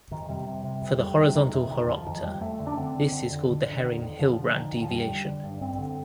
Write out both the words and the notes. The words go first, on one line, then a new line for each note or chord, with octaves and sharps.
For the horizontal horopter this is called the Hering-Hillebrand deviation.
F2 D#3
C3 G3
C3
C3
F2
F2 G3
C3
F2 D#3
C3
F2 D#3
F2 F3
F2 D#3
F3
F2 G3
F2 A3
D3
D4
D3 C4
D3
F2 D3
D3
D3
D3
F2 D#3
F2
D3 F3
D3
D3 D#3
F2
F3
D3 G3
D3
D3
G2
G2 C4
D3